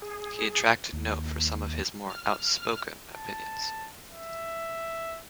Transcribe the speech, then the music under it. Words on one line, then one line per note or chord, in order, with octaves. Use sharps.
He attracted note for some of his more outspoken opinions.
G#4
D#2
F6
A5
E5